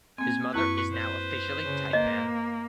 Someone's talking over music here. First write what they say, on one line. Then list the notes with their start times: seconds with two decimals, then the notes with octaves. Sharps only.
His mother is now officially taipan.
0.18 A#3 C4 G#5
0.53 F#2 E4 B4 C#6 F#6
0.92 B4 C5
1.64 C#3
1.93 A#3 D#5